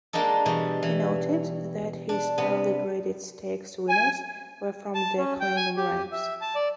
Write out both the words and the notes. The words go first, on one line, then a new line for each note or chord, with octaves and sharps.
He noted that his early graded stakes winners were from the claiming ranks.
G#3 A#3 D4 D#4 A4
B2 E3 G3
E3
D4
C3 B3
G#5
A5
C#4
G5
G#5
G4
E5
A5
D5